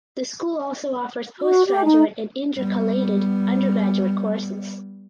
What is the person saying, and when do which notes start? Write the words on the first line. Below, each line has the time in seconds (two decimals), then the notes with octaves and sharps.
The school also offers postgraduate and intercalated undergraduate courses.
1.40 F#4
1.67 G4
1.84 D#4
2.57 G3 B3